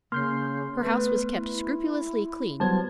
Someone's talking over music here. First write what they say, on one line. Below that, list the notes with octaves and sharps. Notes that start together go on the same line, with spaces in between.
Her house was kept scrupulously clean.
C#3 A#3 C6 F6 G6 C7
A3 B3 B4
E4
F#3 G3 B3 C5 A5 G#6